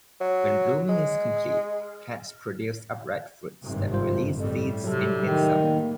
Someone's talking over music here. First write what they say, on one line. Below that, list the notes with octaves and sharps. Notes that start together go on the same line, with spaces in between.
When blooming is complete, plants produce upright fruits that release seeds in mid-summer.
F#3
G#3
G#1 G2 C3
G3 F4 C5
G1 F2 A2 G3
C3 F#3 A4
D#3
A#3